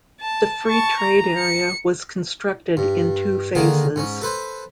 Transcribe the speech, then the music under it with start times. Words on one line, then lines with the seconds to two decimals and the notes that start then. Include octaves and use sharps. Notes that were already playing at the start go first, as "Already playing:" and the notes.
The free trade area was constructed in two phases.
0.21 A5
0.66 A5 C#6
1.00 A#5
1.38 C#7
2.77 G2
3.55 D3 D#3 A#3 G#4
3.96 G#2 C#4
4.21 A4 B4 C5